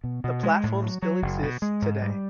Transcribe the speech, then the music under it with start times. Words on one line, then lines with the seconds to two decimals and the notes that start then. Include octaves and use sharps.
The platform still exists today.
0.04 B2
0.24 B2
0.43 G#3
0.63 A2
0.83 F#3
1.02 F#3
1.22 F#1
1.42 B2
1.62 G#3
1.82 G#2
2.02 G3